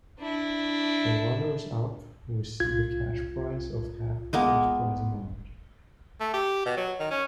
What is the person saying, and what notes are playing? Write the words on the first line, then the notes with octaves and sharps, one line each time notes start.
The runners up receive a cash prize of half the first prize amount.
D4 E4
C2 F4 G#6
G#3 A#3 B3
A3
G4
B2
F#3
D#3
C#4